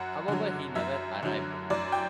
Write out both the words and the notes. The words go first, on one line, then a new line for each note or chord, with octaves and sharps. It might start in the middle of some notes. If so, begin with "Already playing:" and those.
However, he never arrived.
Already playing: F#2 F#5
D3 F#3
F#2 E5
D3 F#3
F#2 D5
G5